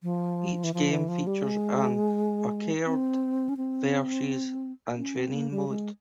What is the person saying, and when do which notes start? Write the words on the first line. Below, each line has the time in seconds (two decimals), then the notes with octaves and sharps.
Each game features an "Arcade", "Versus" and "Training" mode.
0.03 F3
0.64 E3
0.74 F3
0.91 E3
1.08 F3
1.27 G3
1.44 G#3
2.86 C4
3.49 C#4
3.57 C4
4.98 C#4
5.15 C4
5.33 A#3
5.51 G3
5.69 G#3